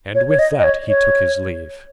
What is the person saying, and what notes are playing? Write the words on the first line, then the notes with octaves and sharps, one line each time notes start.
And with that he took his leave.
C#5
C#5
D#5
D#5
C#5
C#5